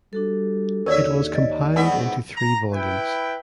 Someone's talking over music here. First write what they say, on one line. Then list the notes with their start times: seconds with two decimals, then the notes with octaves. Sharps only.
It was compiled into three volumes.
0.13 G3 D4 F#4 A4
0.86 D#2 C#4 A#4 C#5 D5 E5
1.35 D5 D#5
1.76 G#2 B3 E5 G#5
2.36 A#5
2.73 E4 B4 G5